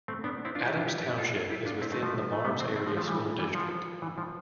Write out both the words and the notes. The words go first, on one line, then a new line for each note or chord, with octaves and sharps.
Adams Township is within the Mars Area School District.
A3 C4
B3 D4
C4 E4
D4 F4
E4 G4
D4 F4
E4 G4
E4 G4
F4 A4
F4 A4
E4 G4
D4 F4
C4 E4
A3 C4
F3 A3
A3
G3 B3
A3 C4
A3 C4
F3
F3 A3
E3 G3
E3 G3
F3
E3
F3